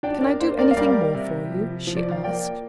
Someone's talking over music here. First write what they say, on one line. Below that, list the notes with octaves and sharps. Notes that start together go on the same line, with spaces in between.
"Can I do anything more for you?" she asked.
D4 D5 G5
A#4 D5
A#3 C5
A#4 D5
F5
G3 A#4 D5
C3
F3
F3
D5
F5
A#3 D5 G5